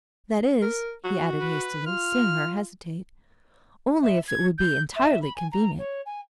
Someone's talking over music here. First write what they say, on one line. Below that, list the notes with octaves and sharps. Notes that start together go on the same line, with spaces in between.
That is," he added hastily, seeing her hesitate, "only if it would be entirely convenient!
A#4
F#4
B4
F4 F6
E5
G#6
G6
E5
B5
G#5
A#5
C#5
G#5